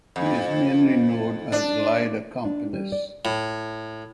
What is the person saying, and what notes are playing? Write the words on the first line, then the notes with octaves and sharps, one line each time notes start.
He is mainly known as Lied accompanist.
F2
D4
D4
G3
D5
A2